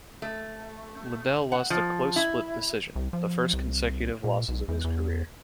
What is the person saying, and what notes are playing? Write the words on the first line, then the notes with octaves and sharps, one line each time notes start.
Liddell lost a close split decision, the first consecutive losses of his career.
A3
F#5
F3
E4
C2
F3
C2
A#2
B1
E2
E2